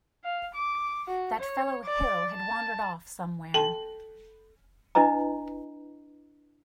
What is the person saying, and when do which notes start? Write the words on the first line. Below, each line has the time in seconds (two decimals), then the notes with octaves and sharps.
That fellow Hill had wandered off somewhere.
0.24 F5
0.54 D6
1.08 F#4
1.39 C#5
1.85 D5
2.33 A5
3.54 A4 G5 A5 C6 F#7
4.95 D4 E4 B4 D#5 A#5